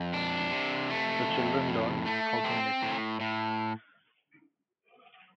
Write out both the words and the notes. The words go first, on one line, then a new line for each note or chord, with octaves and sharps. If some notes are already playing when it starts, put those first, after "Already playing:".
The children learned how to knit.
Already playing: F2
D4
C3
A3
F2
A2
A3
C4
A2
A2